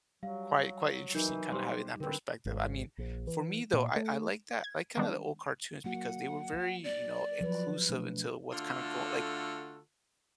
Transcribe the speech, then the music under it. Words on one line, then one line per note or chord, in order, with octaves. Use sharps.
quite quite interesting kinda having that perspective. I mean, for me though, I I like that, like kinda the old cartoons because they were very you know inclusive into what's kinda go like
F#3 G3 F5
E3 F#3 D#4 A#4 G6
G3 G4 C5 C6
D3 C4 A#4 B4
G#1
A#1
E3
A#2
A3
G#6
D#3 G3 G#3 B3 C#4 D4
F#3 A#3 F#4 F#5
D5
F3 F#3 B4
B2 A3 D4
D3 A3 F4 F#4 A4